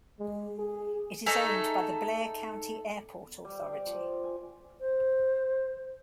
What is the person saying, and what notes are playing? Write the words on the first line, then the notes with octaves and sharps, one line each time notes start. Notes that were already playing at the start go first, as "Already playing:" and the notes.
It is owned by the Blair County Airport Authority.
G#3
G#4
A3 D#4 G#4 A4
G3
D5
F3
G#5
C5